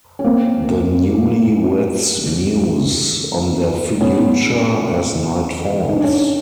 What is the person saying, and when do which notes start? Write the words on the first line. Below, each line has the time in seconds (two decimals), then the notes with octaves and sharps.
The newlyweds muse on their future as night falls.
0.19 C#4
0.24 A#3 C4
4.01 B3 C#4
5.89 D#4
5.96 D4
6.04 C#4 D#4